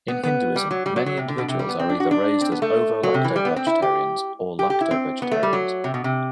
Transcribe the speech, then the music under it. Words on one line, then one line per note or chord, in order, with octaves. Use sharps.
In Hinduism, many individuals are either raised as ovo-lacto vegetarians or lacto vegetarians.
B3
B3
G3
F#3
G3
F#3
F#3
C3
D3
B2
C3
G3
B3
C4
D4
F#4
D4
C4
B3
A3
F#3
C3
E3
G3
B3
C4
E4
G4
G4
G4
E4
C4
B3
A3
G3
F#3
C3
B2
C3